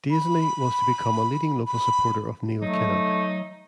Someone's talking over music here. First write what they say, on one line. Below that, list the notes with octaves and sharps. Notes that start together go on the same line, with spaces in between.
Daisley was to become a leading local supporter of Neil Kinnock.
B5
B5
F#3 A3 D#4